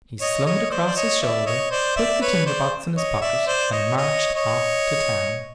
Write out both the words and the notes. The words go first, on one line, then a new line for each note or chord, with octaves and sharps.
He slung it across his shoulder, put the tinder-box in his pocket, and marched off to town.
C#5 D#5
C#5 D#5
C5 D5
D5
C#5 D#5
D5 E5
C#5 D#5
C5 D5
D5 E5
B4 C#5
C5 D5
C#5 D#5
D5 E5
C5 D5
C#5 D#5
C#5 D#5
C#5 D#5